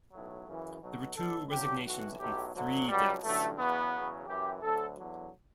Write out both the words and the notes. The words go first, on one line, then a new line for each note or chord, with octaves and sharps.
There were two resignations and three deaths.
B1 A2 F#3
F#2 C#3 E3
B1 B2 F#3
B1 B2 F#3 A4
A1 G2 F#3 G4
B1 A2 E3 F#4
B1 A2 F#3 G4
D2 D3 F#3
C#2 B2 F#3 G3
A1 G2 D3 F#3 A3
E2 C#3 F#3 B3
E2 C#3 F#3
F#2 E3 G4
D2 D3 F#3 A4
E2 D3 F#3